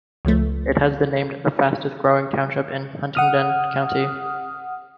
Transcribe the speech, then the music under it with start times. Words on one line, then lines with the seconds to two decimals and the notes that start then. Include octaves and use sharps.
It has been named the fastest growing township in Huntingdon County.
0.25 C#2 F3 A3
3.15 F#5 D#6 F6